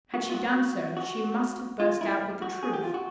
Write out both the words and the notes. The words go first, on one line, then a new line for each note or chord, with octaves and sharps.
Had she done so, she must have burst out with the truth.
F#4
F4
F#4
F#4
F4
E4
F#4
G#4
G4
F4
F#4